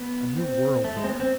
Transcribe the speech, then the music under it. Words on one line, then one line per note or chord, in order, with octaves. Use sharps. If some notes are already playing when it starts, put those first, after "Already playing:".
A new world here.
Already playing: B3
C4
A3
G#3
C4
B3
C4